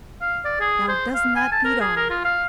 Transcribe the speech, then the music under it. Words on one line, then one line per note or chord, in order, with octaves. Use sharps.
Now, doesn't that beat all?
F5
D5
G#4
C5
F5
G#5
A5
A#4
G#4
A#4
F4
F5